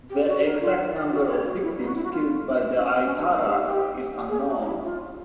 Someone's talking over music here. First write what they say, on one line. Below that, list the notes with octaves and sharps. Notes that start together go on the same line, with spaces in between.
The exact number of victims killed by the Aitarak is unknown.
G4
F#4
A#4
F4
F#4
G4
F#4
E4
D#4
F#4
E4
F#4
F4
C#4
C#4
D4
D#4
G4
G4
G#4
G4
F#4
D#4
E4
F4